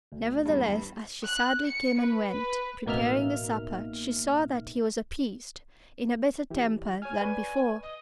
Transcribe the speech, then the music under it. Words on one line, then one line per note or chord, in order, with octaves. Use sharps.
Nevertheless, as she sadly came and went, preparing the supper, she saw that he was appeased, in a better temper than before.
D2
E2 G2
F#6
C#7
B4
B4
A1 B2 A#3 D#4 E5 F6
E3 E4 G4
C#5 G#5 F6
B4 D5 C#6
D#5